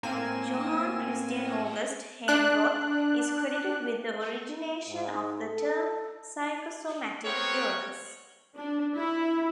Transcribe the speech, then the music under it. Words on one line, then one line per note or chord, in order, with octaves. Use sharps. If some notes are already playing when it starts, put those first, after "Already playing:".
Johann Christian August Heinroth is credited with the origination of the term psychosomatic illness.
A2 A#3 C4 G#5 E7
D4 F#6
G#2
A4
A3 B3 C4 G4 A#4 C#5
D4
E4